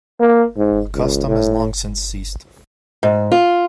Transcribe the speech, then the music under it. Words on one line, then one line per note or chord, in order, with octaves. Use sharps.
The custom has long since ceased.
A#3
G#2
C#2
A2
G#2
F4